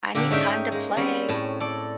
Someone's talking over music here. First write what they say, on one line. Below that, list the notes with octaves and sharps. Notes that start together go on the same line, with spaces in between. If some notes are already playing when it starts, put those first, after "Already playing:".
I need time to play."
A#2 D3 F4 G4 A4
G#2 C#4 D#4 E5 G5
G#3 A#3
G3 C4 C#4 G#4
A2 A5
A4 D5